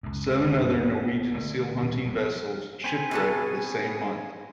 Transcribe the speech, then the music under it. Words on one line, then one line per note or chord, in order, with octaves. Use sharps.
Seven other Norwegian seal hunting vessels shipwrecked the same month.
C#2 F#2
F#2 E3 F3
A1 B3 D4
D3 A3
D2 G2 A#2 D#3
E1 B1 A#2 F3
C4 B4 G#5
B2 F#4 G#4 A5